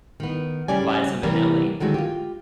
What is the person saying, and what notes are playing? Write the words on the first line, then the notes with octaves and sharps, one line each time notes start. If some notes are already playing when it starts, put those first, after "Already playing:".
Liza Minnelli.
D#3 B3
C#3 G3 C#4 D5 G#5
C3 E3 G3 A#3 B3 A#4
D3 D#3 F#3 G#3 F#4
F4 G4